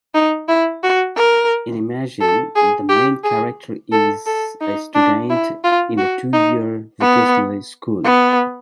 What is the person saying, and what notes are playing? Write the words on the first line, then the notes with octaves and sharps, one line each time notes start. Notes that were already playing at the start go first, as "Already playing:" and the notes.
In Imagine, the main character is a student in a two-year vocational school.
D#4
E4
F#4
A#4
A4
G#4
G4
G#4
A4
A4
D#4
D4
E4
F4
F#4
D#4
B3
B3